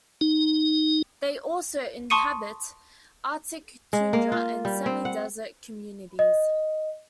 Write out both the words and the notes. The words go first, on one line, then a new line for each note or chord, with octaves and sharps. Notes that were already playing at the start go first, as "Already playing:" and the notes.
They also inhabit arctic tundra and semidesert communities.
D#4
A5 C6 C#6 D#6 C#7 D#7
G#3
A#3
F4
G3
C4
F#5
D#5